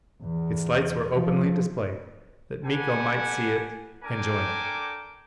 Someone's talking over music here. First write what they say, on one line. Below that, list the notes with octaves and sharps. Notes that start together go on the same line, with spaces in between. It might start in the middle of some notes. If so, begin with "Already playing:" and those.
Its lights were openly displayed, that Miko might see it and join it.
E2
F3
G4 A4 B4 F#5 G#5
D4 A4 A#4 G5 G#5 D6